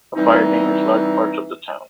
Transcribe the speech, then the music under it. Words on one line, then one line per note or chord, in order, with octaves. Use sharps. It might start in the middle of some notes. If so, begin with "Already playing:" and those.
A fire damaged large parts of the town.
E3 G3 C4 D#4